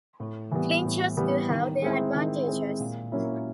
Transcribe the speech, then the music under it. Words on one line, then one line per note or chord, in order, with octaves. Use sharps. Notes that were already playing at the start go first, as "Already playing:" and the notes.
Clinchers do have their advantages.
A2
E3 G3 B3
A2
E3 G3 B3
D#3
G#3 C4 E4
D#3
G#3 C4 E4
A#2
F#3 A#3 C#4 E4